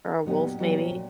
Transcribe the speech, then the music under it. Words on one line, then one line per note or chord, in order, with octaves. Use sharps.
or a wolf, maybe
A#2 F#3 B3 D#4 G4
A#2 F#3 B3 D#4 G4
A#2